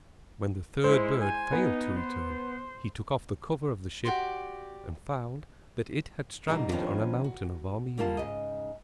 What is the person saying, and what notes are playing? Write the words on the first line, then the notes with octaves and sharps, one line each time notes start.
When the third bird failed to return, he took off the cover of the ship and found that it had stranded on a mountain of Armenia.
G#3 E4 C5
G#5
B3 D#4
C5
F#4 G4 D5 C6
E2 B2 G3 D#4
D#3 F3 B3 C#4 D4
F#4
D3 G3 A#3 F4 C5 A5
G#2 C#3 D#5